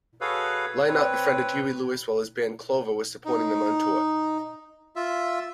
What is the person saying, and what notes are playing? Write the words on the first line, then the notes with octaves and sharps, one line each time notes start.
Lynott befriended Huey Lewis while his band, Clover, was supporting them on tour.
F#4 G#4 A4 B4 C#5 F5
C4 B4 C#5
D#4
F4 E5